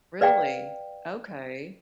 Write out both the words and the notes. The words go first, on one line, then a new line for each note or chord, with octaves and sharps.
Really? Okay.
B4 D5 F5 G5